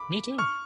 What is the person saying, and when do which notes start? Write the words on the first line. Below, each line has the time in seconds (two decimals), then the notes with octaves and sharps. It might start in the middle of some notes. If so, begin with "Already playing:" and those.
Me too!
Already playing: B5 D6
0.38 C#6 F6